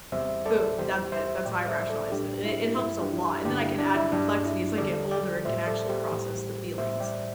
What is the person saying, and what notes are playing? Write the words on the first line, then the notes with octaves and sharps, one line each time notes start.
Boom! That's it. That's how I rationalized it, and it and it helps a lot, and then I can add complexity as I get older and can actually process the feelings.
E2 C3 G3 C5 E5
A4 D5
E2 E3 G3 G4 C5
C5 E5
A2 G3 D5 G5
C5 E5
A4 D5
A2 G3 D4 G4
E4
G2 G3 E4
D4 G4
G2 D3 G3 D4 G4
E4
D4
E4
G2 G3 D4
E4
E2 D3 G3 A4 D5
D5 G5
A2 G3 C5 E5
A4 D5
G4 C5
A2 E3 G3
A2 E3 G3 C5 E5
D5 G5